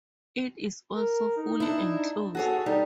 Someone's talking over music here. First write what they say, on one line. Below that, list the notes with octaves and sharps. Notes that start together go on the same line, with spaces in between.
It is also fully enclosed.
A#4
D#4
D4 E4
F#4 G#4 A4 C#5
G3 D#4